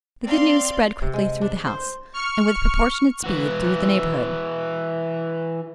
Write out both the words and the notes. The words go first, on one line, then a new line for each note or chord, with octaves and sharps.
The good news spread quickly through the house, and with proportionate speed through the neighbourhood.
C4 D5 F5 C6
C3
G#3
D4
C5
C#6 F6 C#7
E3 F#4